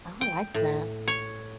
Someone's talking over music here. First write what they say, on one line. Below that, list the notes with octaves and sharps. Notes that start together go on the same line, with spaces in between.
I like that.
G5
A2
C#5